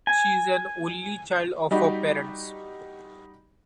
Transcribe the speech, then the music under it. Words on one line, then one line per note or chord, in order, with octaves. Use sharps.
She is an only child of her parents.
G#5
G3 D#4 F#4 G4